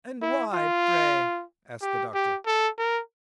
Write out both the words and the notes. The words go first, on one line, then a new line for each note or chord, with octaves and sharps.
"And why, pray?" asked the Doctor.
E4
F4
G4
G4
A4
A#4